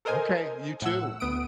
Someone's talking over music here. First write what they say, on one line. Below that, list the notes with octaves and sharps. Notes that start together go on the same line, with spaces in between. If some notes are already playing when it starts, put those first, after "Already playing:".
Okay, you, too.
A4 A#4 C5 D#5 G#5
A2 F#5 E6
D2 B3 D#6 D7